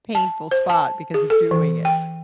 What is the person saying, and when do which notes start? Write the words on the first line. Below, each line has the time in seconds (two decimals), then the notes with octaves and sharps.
painful spot because of doing it.
0.15 A5
0.51 C5
0.69 A5
1.14 G#4
1.30 A4
1.51 E3
1.85 G5